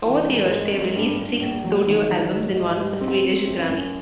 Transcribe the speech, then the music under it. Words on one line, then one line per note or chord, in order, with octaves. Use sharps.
Over the years they have released six studio albums and won a Swedish Grammy.
E3
G#1
G#3
G#1
G2
G2
A#1
F#3
D#3
F#3
G#2
G#2
G3
C4
C4
F#2
F#2